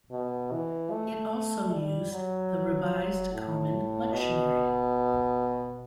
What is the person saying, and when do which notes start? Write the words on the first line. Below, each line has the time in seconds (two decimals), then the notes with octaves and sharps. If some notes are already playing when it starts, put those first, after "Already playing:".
It also used the Revised Common Lectionary.
0.12 B2
0.52 E3
0.92 A3
1.72 G3
2.12 F#3
3.32 A2
4.13 B2